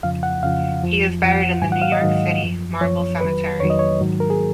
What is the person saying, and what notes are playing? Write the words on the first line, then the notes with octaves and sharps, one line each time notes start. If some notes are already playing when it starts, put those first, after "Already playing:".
He is buried in the New York City Marble Cemetery.
F2 C#3 F3 F5
F#5
F2 C#3 F3 F5
F2 F3
F2 F3 F#5
G#2 D#3 F#3 G#5
F#5
F5
D#5
G#2 D#3 F#3
F#2 F3
F#2 F3 C#5
F2 D#3 F#3 B4
F2 D#3 F#3 C#5
D#5
C#5
G#2 D#3 F#3
A#4
G#4